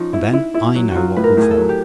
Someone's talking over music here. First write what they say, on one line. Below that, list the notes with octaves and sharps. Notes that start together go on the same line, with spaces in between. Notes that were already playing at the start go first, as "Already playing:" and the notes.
And then I know what will follow.
Already playing: F3 C#4 D#4
E4
E4
E4
F#3
F#3 F4 F#4
A2 B4
A#4
A2 G#4
A4
F#3
G4